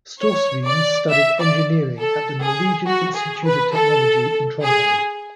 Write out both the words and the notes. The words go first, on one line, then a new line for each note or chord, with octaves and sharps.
Storsveen studied engineering at the Norwegian Institute of Technology in Trondheim.
C#5
D5
E5
D5
A4
G#4
F#4
G#4
B4
A4
G#4